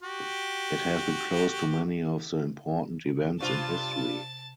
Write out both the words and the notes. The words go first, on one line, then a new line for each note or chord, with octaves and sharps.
It has been close to many of the important events in history.
F#4 G4
G2 C3 F4 C5 A5 C#6 A6